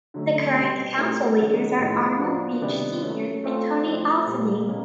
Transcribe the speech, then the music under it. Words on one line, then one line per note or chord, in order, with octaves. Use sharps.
The current council leaders are Arnold Beach Senior and Tony Alsenay.
D3 F#3 A3 C#4
B2 G3 B3
A3 C4 E4 G4 A#4
D#3 G#3 C#4 F#4 A4
A2 F3 G#3 B3 D#4
F3 A#3 D4 F#4
C3 D#3 G3 B3 D4
F#3 A3 C#4
A3 C4 F4 A4
F3 A3 C4 E4
A#2 G3 A#3
B2 G3 A#3 C#4